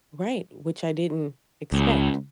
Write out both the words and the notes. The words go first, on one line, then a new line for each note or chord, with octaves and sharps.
Right, which I didn't expect.
C#2